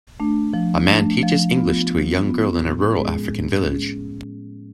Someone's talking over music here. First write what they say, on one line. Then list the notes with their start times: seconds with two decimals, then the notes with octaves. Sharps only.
A man teaches English to a young girl in a rural African village.
0.20 A3 D4
0.54 F3
0.88 A3 D4
1.23 F3
1.56 B3 F4
1.90 F3
2.25 B3 F4
2.58 A2
2.92 G#3 C#4 G#4
3.26 A2
3.60 G#3 C#4 G#4